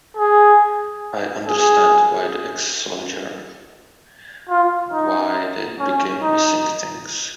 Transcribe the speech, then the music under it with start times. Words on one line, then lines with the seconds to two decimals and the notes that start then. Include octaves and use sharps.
I understand why the ex-soldier, why they became missing things.
0.17 G#4
1.47 G#4
4.50 F4
4.93 D#4
5.80 C#4
6.22 D#4